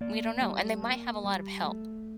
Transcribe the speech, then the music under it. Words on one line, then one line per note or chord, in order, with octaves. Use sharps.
We don't know, and they might have a lot of help
A#3 D5
G3
A#3
G3
A3